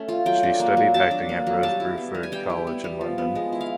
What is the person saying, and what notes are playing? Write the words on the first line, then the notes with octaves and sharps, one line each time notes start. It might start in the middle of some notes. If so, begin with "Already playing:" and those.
She studied acting at Rose Bruford College in London.
Already playing: A3 C#4
F4
F#3 G5
D4
A#3
F#3
F#3 A5
D4
A#3
F#3
G3 A5
E4
B3
G3
G#5
G3 G5
E4
B3
G3
F3
B3
G#3
E4
F5